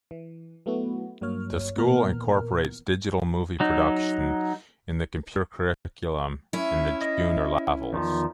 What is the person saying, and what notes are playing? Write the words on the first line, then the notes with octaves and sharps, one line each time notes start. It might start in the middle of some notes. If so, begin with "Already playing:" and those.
The school incorporates digital movie production in the computer curriculum in the junior levels.
E3
F#3 A3 B3 E4 F#4
G2 F#3 A#3 C#5 F6
A#2 D#3 E3 B3 A#4 F6
F#3 D#4
C#4 E4
D#5
E2 D#3 F3